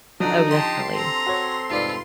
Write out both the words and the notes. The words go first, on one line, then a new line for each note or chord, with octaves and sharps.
Oh, definitely.
D3 F3 F#3 D#4 D5 A#5 D#6
G4 A5 C6
C4 A4 A#5
F#4 C#5
F1 G#2 F4 B4 D5